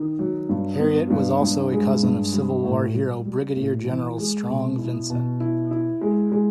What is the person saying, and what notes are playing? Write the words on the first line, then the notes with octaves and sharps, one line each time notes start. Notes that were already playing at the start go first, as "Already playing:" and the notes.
Harriet was also a cousin of Civil War hero Brigadier General Strong Vincent.
Already playing: D#3
F#3
G2
B3
G2
G2
G#3
G2
G3
A2
G3
G3
A2
E3
G#3
B2
E4
B2
E4
E4
G#3
G#3